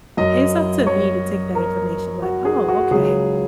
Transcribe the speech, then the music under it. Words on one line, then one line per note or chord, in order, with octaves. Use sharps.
It's up to me to take that information, like, "Oh, okay."
F#2 F#3 D#5
C#5
A#4
F#4
G#4
F#4
C#2 C#3 F#3 G#4